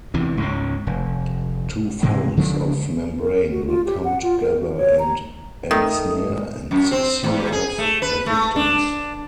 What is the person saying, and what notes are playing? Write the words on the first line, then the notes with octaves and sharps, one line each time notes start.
Two folds of membrane will come together and ensnare and seal off the victims.
E2 C3 E3
C#2 G#2 C#3
F1
G#2 C3 E3 G#3
C#3 F3 G#3 D4
A#4
F#4
F4
G4
F#5
F4
A#4
F#4
C#5
A#5
D#3 A3 D#6
F#2
C4
E2
G#4
A3
B4
A3
D4